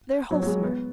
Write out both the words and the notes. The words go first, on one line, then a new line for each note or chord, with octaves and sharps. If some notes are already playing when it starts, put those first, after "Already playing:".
They're wholesomer.
F#3
F#3
G#3
B3